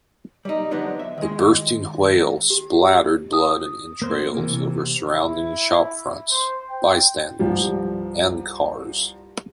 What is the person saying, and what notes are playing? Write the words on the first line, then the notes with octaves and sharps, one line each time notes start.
The bursting whale splattered blood and entrails over surrounding shop fronts, bystanders, and cars.
G3 D#4
D3 F3 F#3 B3 D4 D#4
E5
D#3 G#3
G4
D#6
A#3 C5
C3 E3 A#3
E4
C5
G5
C2 G2 F3 G3